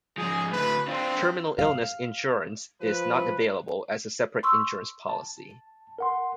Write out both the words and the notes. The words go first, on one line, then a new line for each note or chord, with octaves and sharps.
Terminal Illness Insurance is not available as a separate insurance policy.
G#2 F3 G#4
A2 D3 B4
C4 D4 F4
F5
F3 B4
C6 C#6 E6
A5
A#4 F#5 C6